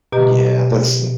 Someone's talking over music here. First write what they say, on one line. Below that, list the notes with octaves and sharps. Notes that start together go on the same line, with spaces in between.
Yeah, that's n
B2 G4 D#5 A#5